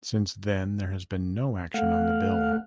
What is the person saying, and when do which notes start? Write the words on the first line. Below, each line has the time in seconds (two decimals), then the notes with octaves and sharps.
Since then there has been no action on the bill.
1.74 A3 F5 F#5